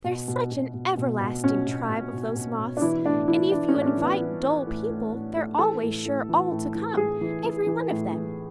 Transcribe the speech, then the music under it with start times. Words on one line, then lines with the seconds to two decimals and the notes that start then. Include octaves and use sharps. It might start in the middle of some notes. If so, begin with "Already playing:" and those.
There's such an everlasting tribe of those Moths; and if you invite dull people they're always sure all to come, every one of them.
0.04 B2
0.28 B2
0.51 B2
0.74 B2
0.97 B2
1.21 B2
1.44 B2 C#4
1.66 B2
1.89 B2
2.13 B2
2.36 B2
2.59 B2
2.77 D4
2.81 E3 E4
3.05 A2 D4
3.28 E3 E4
3.51 E3 D4
3.69 C#4
3.74 A2
3.81 D4
3.86 C#4
3.97 E3
4.03 B3
4.21 E3
4.43 E3
4.67 A2
4.90 A2
5.13 A2
5.36 A2
5.59 E3 A4
5.82 A2
6.05 A2
6.29 E3
6.51 A2
6.75 E3
6.97 A2 G#4
7.21 E3
7.44 E3
7.67 E3
7.90 A2
8.13 E3